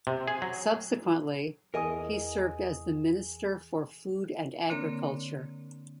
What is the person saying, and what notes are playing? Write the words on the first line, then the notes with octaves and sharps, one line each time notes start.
Subsequently, he served as the Minister for Food and Agriculture.
C3
G#4
F#3
E2 E3 G#4 A#4 D#5 G#5 D#6
D3 A#3 C4 D4 A#4 C#5